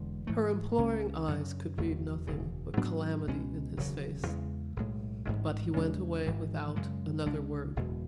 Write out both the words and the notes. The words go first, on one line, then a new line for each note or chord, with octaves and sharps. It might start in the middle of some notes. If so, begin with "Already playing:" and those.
Her imploring eyes could read nothing but calamity in his face, but he went away without another word.
Already playing: E1 E2 D3 G#3
G#2 E3 A3
C#2 C#3 G#3 C#4
F#2 C#3 F#3
F#1 E2 D3 A3
E1 D2 C#3
G#2 F#3 B3 D4
C#2 B2 G#3 C#4
E1 D2 C#3 F#3
E2 C#3 G#3
B1 A2 G#3
A1 G#2 G#3
E2 C#3 G#3 D4
G#1 G#2 E3
F#2 C#3 G#3
C#2 C#3 G#3 D4
F#1 E2 B2 G#3